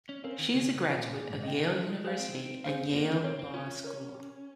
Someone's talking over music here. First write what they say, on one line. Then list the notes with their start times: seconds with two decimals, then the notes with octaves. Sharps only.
She is a graduate of Yale University and Yale Law School.
0.09 C#4
0.24 C4 A#4 C#5 F5 G#5
0.39 D#3
0.53 C#3 G#4
0.74 C#3
0.85 D#5 G5
0.94 A#2
1.14 A#2 G#4
1.30 G#2
1.43 C3 D#5 G5
1.59 C#3
1.74 F3 D#4
1.90 G#3
2.04 G#3 G#4 C5 F5
2.19 C4
2.35 D#4
2.64 G#4 C5 F5
2.94 A#3 F4
3.10 C4
3.24 C4 A#4 C#5
3.39 C4
3.54 C#4 F4
3.84 A#4 C#5
4.14 G4